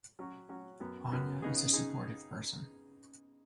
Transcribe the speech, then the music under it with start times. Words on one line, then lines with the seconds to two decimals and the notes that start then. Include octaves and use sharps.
Anja is a sportive person.
0.19 F#3 C#4 F#4
0.49 F#3 C#4 F#4
0.80 F#2 F#3 B3
1.12 F#2 F#3 B3
1.42 C#3 B3 D#4 G#4
1.73 D#4 G#4